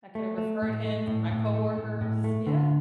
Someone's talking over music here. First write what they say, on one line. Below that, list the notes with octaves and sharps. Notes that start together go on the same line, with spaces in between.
I could have referred him to my coworkers yeah,
A3
A3
A2
A3
A2
A2
A3
A2
A2
A3
D3